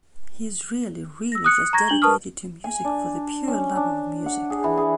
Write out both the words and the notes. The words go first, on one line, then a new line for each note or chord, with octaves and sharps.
He's really, really just dedicated to music for the pure love of music.
E6 A#6
D#6 F#6 C#7
A#5 C#6 G#6 A#6
D4 F#7 G7
A#4 B4 A5 C#6 D#6 F6
G#5
D4
C#4
D4
F#5
G#4
E3
G#4